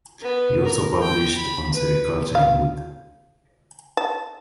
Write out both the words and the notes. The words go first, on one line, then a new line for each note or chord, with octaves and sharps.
He also published on sericulture in Oudh.
B3
A#4
G5
B5
B4
F5
A5